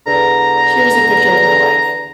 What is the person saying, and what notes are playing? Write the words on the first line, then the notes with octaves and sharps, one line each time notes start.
Here's the picture of my wife.
E2 D3 A#5